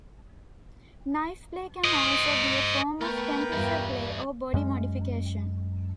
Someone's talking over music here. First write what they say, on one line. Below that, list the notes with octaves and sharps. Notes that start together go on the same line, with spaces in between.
Knife play can also be a form of temperature play or body modification.
C5 D#5
A3 B3 A#4 B4 G5
E2 G2 G3 F4 E5
F#2 G#3 C#4